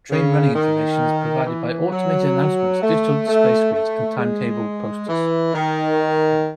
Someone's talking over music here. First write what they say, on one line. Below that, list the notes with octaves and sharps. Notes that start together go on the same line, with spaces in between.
Train running information is provided by automated announcements, digital display screens and timetable posters.
C#3
D#3
E3
F#3
A3
A3
A3
G#3
E3
D#3